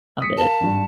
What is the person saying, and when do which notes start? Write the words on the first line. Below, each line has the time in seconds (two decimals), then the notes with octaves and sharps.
of it.
0.20 D#6 B6 C#7
0.38 A#4 F5 A5
0.60 G#1 G2